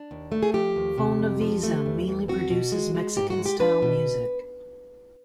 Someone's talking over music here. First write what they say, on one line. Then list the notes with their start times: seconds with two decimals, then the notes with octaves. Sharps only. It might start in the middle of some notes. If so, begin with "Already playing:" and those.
Fonovisa mainly produces Mexican style music.
Already playing: D4
0.11 D#2
0.32 A3
0.43 G#4
0.54 F3 G4
0.76 D#2
0.98 C3
1.19 F2
1.41 F3
1.63 A3
1.86 E2
2.08 E2
2.28 C4 F#4
2.50 B2
2.72 G#3
2.95 G#3
3.16 G#2 G4
3.30 F#4
3.38 G#3
3.46 G4
3.60 D4 B4
3.82 B2